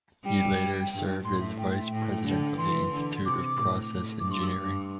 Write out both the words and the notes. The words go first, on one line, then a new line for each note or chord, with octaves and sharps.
He later served as Vice President of the Institute of Process Engineering.
G3 G5
G2
A2 C6
E5
G5
E5
A2 G5
D3
E3 C6
D3
C3 D6
A2
A2
D6
G2
C6
E6
D6
G2